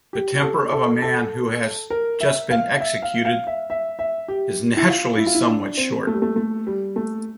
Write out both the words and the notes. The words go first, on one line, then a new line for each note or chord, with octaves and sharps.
The temper of a man who has just been executed is naturally somewhat short.
G4
G4
A4
A4
A4
A#4
E5
F5
E5
F5
F5
E5
E5
E5
G4
E4
F4
E4
F4
E4
D4
C4
A3
G3
A3
A3
G3
A3